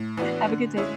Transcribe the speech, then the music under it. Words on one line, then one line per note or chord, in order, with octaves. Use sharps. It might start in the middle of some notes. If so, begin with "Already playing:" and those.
Have a good day.
Already playing: A2
E3 B3 D4 F#4
D3
G#3 C#4 E4 G#4